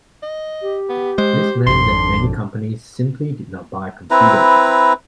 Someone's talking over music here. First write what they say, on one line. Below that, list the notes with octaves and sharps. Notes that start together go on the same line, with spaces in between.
This meant that many companies simply did not buy computers.
D#5
G4
B3
G#3 C5
G#1 F2 D4 C6
C4 E4 B4 A#5